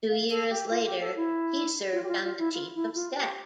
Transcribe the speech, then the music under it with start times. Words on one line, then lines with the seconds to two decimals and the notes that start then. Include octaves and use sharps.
Two years later, he served on the Chief of Staff.
0.10 F5
0.29 A4
0.50 G4
0.70 F4
0.86 G4
1.01 A4
1.16 E4
1.92 F4
2.03 G4
2.08 F4
2.23 F4
2.38 E4
2.54 F4
2.75 E4
2.94 F4
3.16 G4